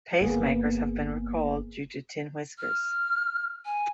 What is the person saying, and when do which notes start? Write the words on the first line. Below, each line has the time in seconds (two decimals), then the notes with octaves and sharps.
Pacemakers have been recalled due to tin whiskers.
0.21 G1 A#3 B3 G#4
2.58 F6
3.65 G#5